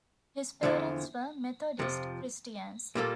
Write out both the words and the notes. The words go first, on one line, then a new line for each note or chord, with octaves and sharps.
His parents were Methodist Christians.
E2 D3 F3 C4 E4
F2 C3 F3
A#2 G3 A#3 F4 A4